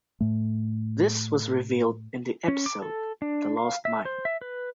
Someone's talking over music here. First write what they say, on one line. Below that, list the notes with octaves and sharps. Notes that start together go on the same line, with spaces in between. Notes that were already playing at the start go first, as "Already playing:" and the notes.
This was revealed in the episode The Lost Mine.
A2 A3
C#4
D6
A4
D4
F5
E5
C5
E5
B4